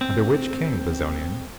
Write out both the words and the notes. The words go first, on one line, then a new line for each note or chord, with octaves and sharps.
Under which King, Bezonian?
C4